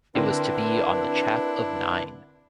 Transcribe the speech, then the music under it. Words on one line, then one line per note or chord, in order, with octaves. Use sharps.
It was to be on the chap of nine.
D3 C4 D4 E4 A#4 B4